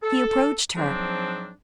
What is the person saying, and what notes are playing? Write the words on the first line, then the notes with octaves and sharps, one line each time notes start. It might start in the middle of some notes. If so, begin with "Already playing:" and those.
He approached her.
A4
G#2 F3 F#3 C4 D4